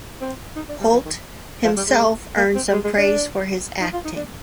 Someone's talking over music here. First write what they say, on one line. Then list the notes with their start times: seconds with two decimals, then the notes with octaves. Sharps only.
Hoult himself earned some praise for his acting.
0.21 C4
0.56 D#4
0.69 D4
0.81 G3
0.92 F3
1.05 D#3
1.64 F3
1.77 G3
1.88 G#3
2.37 A#3
2.55 C4
2.72 G#3
2.84 G#3
2.97 D4
3.81 D#4
3.93 F4
4.05 D#4
4.16 D4